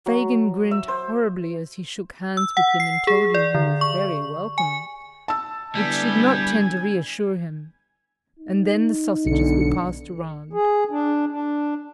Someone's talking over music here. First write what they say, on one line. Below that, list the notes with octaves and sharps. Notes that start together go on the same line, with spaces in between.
Fagin grinned horribly as he shook hands with him and told him he was very welcome, which did not tend to reassure him, and then the sausages were passed around.
F#3
E5
C5
E6
F#5
C7
G#4
D5
D3
C#6
G#5
A5 E6
D3 G3 B3 E4 G#5
D#4
B1 D3 C#7
G#4
D4
D4